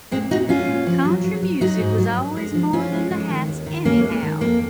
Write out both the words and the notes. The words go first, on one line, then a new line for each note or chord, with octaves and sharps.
Country music was always more than the hats anyhow.
A#2 G#3 C4
A#2 D#4 F#4
G#3 C#4 F4
A#2
F3
F#3
F#3
F#3
F#3 D#4 F#4
G#2
F#3
F#2
G#3
F3
F3 C#4 F4
G#3
G#3
D#3
D#2
D#3
D#2 A#3 C#4
G#3
D#3
F2 A#3